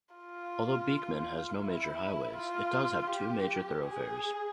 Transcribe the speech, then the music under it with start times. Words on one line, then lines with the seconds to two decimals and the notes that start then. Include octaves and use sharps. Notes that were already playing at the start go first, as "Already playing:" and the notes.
Although Beekman has no major highways, it does have two major thoroughfares.
0.14 F4
1.62 E4
2.37 F4
3.12 G4
3.86 G#4